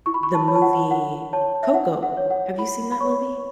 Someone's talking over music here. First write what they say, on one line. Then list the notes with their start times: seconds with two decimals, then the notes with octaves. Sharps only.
the movie Coco. Have you seen that movie?
0.06 E4 C#6
0.14 B5
0.23 C#6
0.34 A5
0.48 C#5 B5
0.55 A5
0.62 F#5
0.91 E4 F#5
1.33 C#5 A5
1.63 E5
1.74 E4 F#5
2.03 F#5
2.17 C#5
2.30 F#5
2.58 E4 B5
2.92 B5
3.00 C#5 C#6